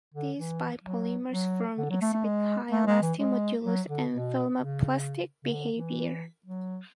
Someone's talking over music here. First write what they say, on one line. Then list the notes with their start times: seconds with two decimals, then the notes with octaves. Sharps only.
These biopolymers form exhibit high elastic modulus and thermoplastic behavior.
0.14 D3
0.38 E3
0.84 F#3
1.31 F#3
1.78 D3
1.90 F#3
2.02 A3
2.13 A3
2.25 G#3
2.71 A3
2.87 G#3
3.02 E3
3.19 G#3
3.65 F#3
3.88 D3
4.12 B2
4.59 C#3
5.44 C#3
5.52 D3
5.76 E3
6.46 F#3